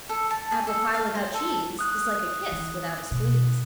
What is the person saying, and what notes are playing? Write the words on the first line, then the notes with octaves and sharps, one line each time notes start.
Apple pie without cheese Is like a kiss without a squeeze.
A4
A5
G#4
A4
F5
C5
A4
D#6 F#6
E3
B2